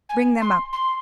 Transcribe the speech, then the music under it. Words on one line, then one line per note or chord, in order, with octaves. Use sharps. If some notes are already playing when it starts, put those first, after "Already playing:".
Bring them up.
G#5
C6
C6